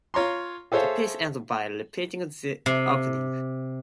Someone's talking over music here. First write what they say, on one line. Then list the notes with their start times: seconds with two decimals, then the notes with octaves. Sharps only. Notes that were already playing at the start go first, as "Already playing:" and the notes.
The piece ends by repeating the opening.
0.14 F4 C#5 A#5 C6
0.72 G#4 A4 C5 C#5 E5 F5
2.66 C3